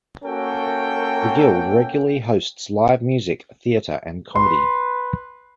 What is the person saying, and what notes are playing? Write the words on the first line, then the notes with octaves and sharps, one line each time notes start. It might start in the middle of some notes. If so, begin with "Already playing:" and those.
The Guild regularly hosts live music, theatre and comedy.
A#3 C#4 F#4 A4 A#4 G5
B4 C6